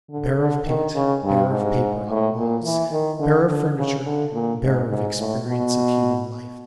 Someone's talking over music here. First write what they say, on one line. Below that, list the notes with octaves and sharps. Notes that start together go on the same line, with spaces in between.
Bare of paint, bare of paper on the walls, bare of furniture, bare of experience of human life.
D3
D3
D#3
C#3
G2
G#2
A2
A#2
E3
D#3
D3
D3
C#3
D3
A#2
G#2
G#2
A2
B2